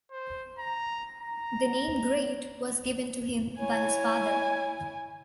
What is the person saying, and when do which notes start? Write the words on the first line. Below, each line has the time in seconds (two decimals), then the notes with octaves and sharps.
The name ‘Great’ was given to him by his father.
0.11 C5
0.59 A#5
1.20 A#5
3.59 E4 C#5 G#5